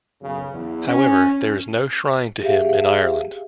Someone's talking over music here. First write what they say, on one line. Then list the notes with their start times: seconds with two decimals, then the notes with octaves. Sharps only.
However, there is no shrine to him in Ireland.
0.22 B1 F#2 C#3
0.53 E2
0.87 C#4
2.41 G4 G#4 E5 F5